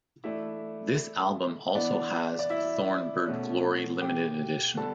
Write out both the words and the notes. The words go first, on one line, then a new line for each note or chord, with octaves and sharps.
This album also has Thorn Bird Glory Limited Edition.
E3 A3 D4 E4 E5
E3 B3 D4 D5
D5
E4 E5
B2 A3 C#4
G4 G5
D3 G3 B3 A4 A5